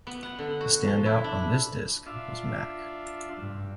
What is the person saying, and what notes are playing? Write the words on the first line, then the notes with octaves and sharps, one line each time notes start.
The standout on this disc was Mac.
B3
F#5
D3
F#4
F3
E4
D4
D4 F4 E5
G2